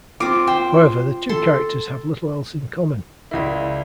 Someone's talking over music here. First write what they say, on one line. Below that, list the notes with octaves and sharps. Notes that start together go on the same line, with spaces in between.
However, the two characters have little else in common.
C4 F4 D6
C5 G5
A4 C6
C#2 E4 A#4 D5